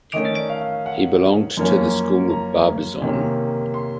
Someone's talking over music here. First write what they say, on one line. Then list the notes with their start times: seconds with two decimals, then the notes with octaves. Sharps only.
He belonged to the School of Barbizon.
0.13 D#3 A3 C#4 D#5
0.49 F5
0.86 F#5
1.57 F#2 F3 A#3 C#4
2.29 A#5
3.02 C3 D#3 A#3 C#4
3.74 C6